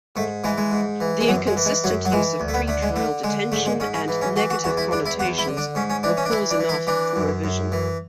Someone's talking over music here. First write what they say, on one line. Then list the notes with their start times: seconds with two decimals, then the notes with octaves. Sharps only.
The inconsistent use of pre-trial detention and negative connotations were cause enough for revision.
0.16 G#2 A3
0.44 E3 G#3
0.58 G#3
0.72 G#2
1.01 E3
1.21 G#3
1.28 F#2 F#3
1.47 G#3
1.56 E3
1.65 G#3
1.84 F#2 F#3
2.05 F#3
2.12 E3 G#3
2.40 D2
2.48 A3
2.54 B3
2.68 D3 A3
2.82 G#3
2.96 D3 A3
3.24 D3 G#3
3.52 G#2 A3
3.66 G#3
3.80 G#2 C#4
3.94 C#4
4.08 E3
4.21 C#4
4.36 E3 F#4
4.50 F#4
4.64 E2 F#4
4.77 E4
4.91 E2 D4
5.06 E4
5.19 E2 F#4
5.38 E4
5.47 D3
5.57 D4
5.75 G#2 C#4
5.90 C#4
6.03 E3 D4
6.17 C#4
6.25 D4
6.31 E3 E4
6.51 D4
6.60 E3
6.69 E4
6.87 E3 D4
7.16 F#2
7.44 F#2
7.72 E3